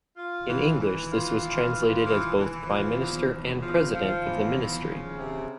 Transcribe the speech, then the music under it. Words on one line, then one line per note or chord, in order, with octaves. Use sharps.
In English this was translated as both Prime Minister and President of the Ministry.
F4
E3
E3
F4
E3
F4
E3
E3
F3
E2
E2
F3
F3
E2
F3
C#3
C3